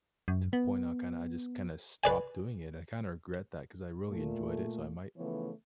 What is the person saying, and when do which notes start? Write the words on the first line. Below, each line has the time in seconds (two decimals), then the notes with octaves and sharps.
to the point I kinda I just kinda stopped doing it, I kinda regret that 'cause I really enjoyed it, so I might
0.28 F#2
0.53 B3
2.04 B4 D5 G#5
4.09 A#2 A3
5.17 C#3 E3 F3 A3 B3 C#5